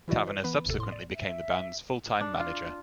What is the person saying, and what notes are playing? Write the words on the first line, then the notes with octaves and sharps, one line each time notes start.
Taverner subsequently became the band's full-time manager.
E3 E4 F#4 D5 D#5
B4
E3 B3 B4 B5
G1 E2 C3 A4
A2 C6
D5
E5
D4
F4